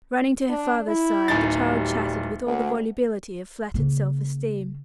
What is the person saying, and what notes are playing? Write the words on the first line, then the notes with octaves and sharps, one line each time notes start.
Running to her father's side, the child chattered with all the volubility of flattered self-esteem.
D4
E4
D1 D#4 A6
G3
D2
C#3 A#3